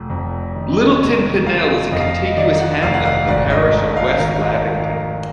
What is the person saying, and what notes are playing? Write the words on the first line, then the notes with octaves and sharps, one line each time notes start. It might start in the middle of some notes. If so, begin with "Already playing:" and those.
Littleton Panell is a contiguous hamlet in the parish of West Lavington.
Already playing: F1
F2
D#3
F1
F1 F5
F2 D#5
F5
D#5
D#3 D5
F#5
F1 F5
F#5
F5
G#1 D5
D#5
G#2 D#5
F5
D#3 A#4
G#1